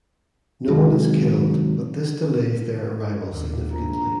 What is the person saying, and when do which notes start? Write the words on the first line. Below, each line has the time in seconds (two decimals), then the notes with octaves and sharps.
No one is killed but this delays their arrival significantly.
0.68 C3 D#3 F#3 G#3
3.31 D#2 D4
3.72 A#1 A#5